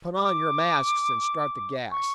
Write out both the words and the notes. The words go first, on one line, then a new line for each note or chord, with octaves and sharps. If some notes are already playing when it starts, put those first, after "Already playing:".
Put on your masks and start the gas!
D6
C#6